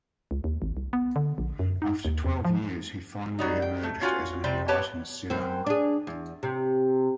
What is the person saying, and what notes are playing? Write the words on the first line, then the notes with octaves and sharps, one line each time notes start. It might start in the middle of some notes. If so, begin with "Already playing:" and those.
After twelve years he finally emerged as an enlightened Siddha.
C#2
D#2
G#1
C2
B3
D3
A#1
F#2
D#4
D#2
E2
F3
F#3 G3 D#4
G5
A3
C#4 F4 F#4 G#5
C3 G3 C4 G5
B3 G4 B4 C#5 A5
F#2 C4
D4 G#4
E2
C3